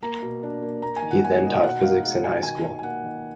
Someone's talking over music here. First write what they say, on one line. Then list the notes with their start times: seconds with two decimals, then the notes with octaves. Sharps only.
He then taught physics in high school.
0.03 A#3 A#5
0.22 B2
0.43 D4
0.62 A#3
0.82 A#3 A#5
0.96 G#5
1.02 D#3
1.11 F#5
1.23 A#3 G#5
1.43 D#4 D#5
1.55 F5
1.63 B2 F#5
1.83 D#4 F5
2.03 G#3 F#5
2.23 B2 G#5
2.43 D#3 G#5
2.63 D#3
2.79 G#5
2.83 A#3 F#5
3.04 D#3